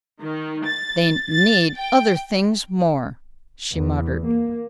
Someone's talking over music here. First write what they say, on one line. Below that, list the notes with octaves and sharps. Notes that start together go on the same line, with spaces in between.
"They need other things more," she muttered.
D#3
A6
A6
G5
E2
A#3